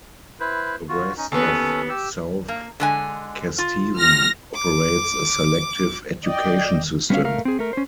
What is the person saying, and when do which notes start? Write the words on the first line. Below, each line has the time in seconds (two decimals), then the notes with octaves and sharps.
The rest of South Kesteven operates a selective education system.
0.40 E4 B4 C5
0.89 F4 F#4
1.17 C#4 D#4
1.32 D#2 B3 C#4 A4
1.89 G4 E6
2.48 A#3
2.80 D3 G#3 G#5
3.58 F4
3.98 F6 A#6
4.55 D6
6.25 D5 D#5 G5
7.10 G3 A3 B3 C#4 C#5 F5
7.25 A3 A#4 F5
7.45 C4 G#4
7.59 A3 A#4
7.73 C#4 C5